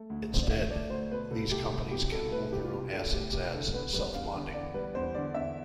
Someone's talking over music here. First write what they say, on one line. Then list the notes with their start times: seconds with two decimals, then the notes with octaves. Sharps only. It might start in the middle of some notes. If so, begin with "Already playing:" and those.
Instead, these companies can hold their own assets as "self-bonding".
Already playing: A3
0.10 D2
0.30 D3 C5
0.42 D5
0.50 D2 E5
0.70 A3 D5
0.90 D2 C5
1.11 B2 B4
1.31 C2 A4
1.51 A3 G4
1.71 C2
1.91 B2 G4
2.12 C2 A4
2.32 A3 B4
2.52 C2 G4
2.64 F4
2.73 B2 G4
2.93 C2 A4
3.13 A3 G4
3.33 C2 G4
3.53 D3 A4
3.73 E2 B4
3.93 G3 B4
4.14 E2 F5
4.33 D3
4.54 E2 D5
4.74 G3 B4
4.95 E2 C5
5.15 D3 D5
5.34 E2 E5